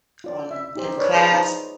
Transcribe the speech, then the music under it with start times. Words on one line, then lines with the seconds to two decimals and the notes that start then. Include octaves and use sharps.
on in class,
0.24 F4 D5
0.51 E5
0.75 D#4 G4 C5
0.98 B4 C#5 D5
1.14 G#4 B4 A5 B5
1.30 D#4 F4 C5 A#5 D6